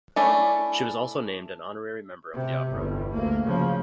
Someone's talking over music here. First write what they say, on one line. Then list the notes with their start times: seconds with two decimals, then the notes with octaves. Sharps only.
She was also named an honorary member of the opera.
0.16 A3 C#4 D4 E4
2.34 C3
2.71 G1 E2
3.12 D2 A#3
3.45 C#3 F3